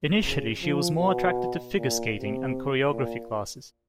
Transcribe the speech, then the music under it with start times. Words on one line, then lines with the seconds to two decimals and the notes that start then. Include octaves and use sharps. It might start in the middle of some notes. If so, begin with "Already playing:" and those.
Initially, she was more attracted to figure skating and choreography classes.
0.23 C#3
0.62 F3
0.99 B2
1.77 A#2
2.14 C3
2.91 A#2